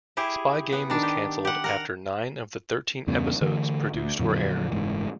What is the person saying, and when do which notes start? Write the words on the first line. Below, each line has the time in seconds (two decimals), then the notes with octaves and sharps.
"Spy Game" was canceled after nine of the thirteen episodes produced were aired.
0.17 E4 G4 G#4
0.72 B3
0.90 D#3 D4
1.03 G4
1.45 G4 F#5
1.64 A#4 F#5
3.07 E2 G2 C#3 B3
3.41 D3 E3 A3
3.94 D2
4.19 F2 A#2 D3 F#3
4.71 F#1 C2 G#2 E3